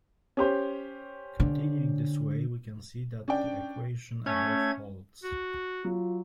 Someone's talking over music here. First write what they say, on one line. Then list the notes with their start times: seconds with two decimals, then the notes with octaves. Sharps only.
Continuing this way we can see that the equation above holds.
0.37 C#4 G4 C5
1.40 D3
3.28 C#4 D4 D5 G5
4.26 A3 C#4 G#6
5.23 F#4
5.84 F#3 F4